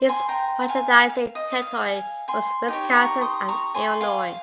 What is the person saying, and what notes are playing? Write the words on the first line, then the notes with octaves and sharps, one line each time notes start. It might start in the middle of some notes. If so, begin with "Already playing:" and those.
His merchandising territory was Wisconsin and Illinois.
Already playing: C5
G#5 C6
G5 A#5
F5 G#5
F5
D#5
F5
F5 G#5
G#5 C6
D#4 G4 C#5
A#5 C#6
C6 D#6
A#5 C#6
G#5 C6
F5 G#5
F5